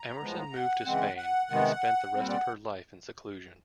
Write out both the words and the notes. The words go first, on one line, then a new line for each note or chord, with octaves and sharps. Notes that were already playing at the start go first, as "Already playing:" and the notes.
Emerson moved to Spain and spent the rest of her life in seclusion.
Already playing: A#5
A2 F3 G#3 B3
F#5
C#3 E3 G#3 C4
F#5
C3 D#3 G#3 B3
A#2 G3 C4
D5